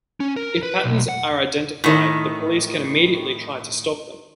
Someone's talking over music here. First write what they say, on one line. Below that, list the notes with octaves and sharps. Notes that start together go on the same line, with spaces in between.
If patterns are identified the police can immediately try to stop them.
C#4
A#4
B4
B1
F#5
A2 D#3